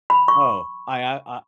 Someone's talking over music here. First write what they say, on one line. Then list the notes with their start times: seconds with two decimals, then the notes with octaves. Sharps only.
Oh, I, uh, uh
0.10 B5
0.28 C#6